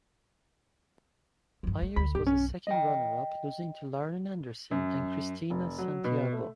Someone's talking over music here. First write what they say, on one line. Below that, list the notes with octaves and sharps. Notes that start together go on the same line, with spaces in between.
Meiers was a second runner-up, losing to Lauren Anderson and Christina Santiago.
G2 F3
A3
D2 B5
B1 G2 G4
C#4
D#5 G5
F#2
F1
F#3
B2
A3